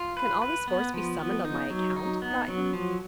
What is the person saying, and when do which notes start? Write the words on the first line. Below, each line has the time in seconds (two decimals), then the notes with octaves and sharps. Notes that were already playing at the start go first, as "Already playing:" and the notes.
"Can all this force be summoned on my account?" thought he.
Already playing: F4
0.17 B4
0.42 B4
0.68 B3
0.94 F3
1.19 B3
1.45 D#4
1.70 F#3
1.96 D#4
2.22 B3
2.48 F#3
2.73 F3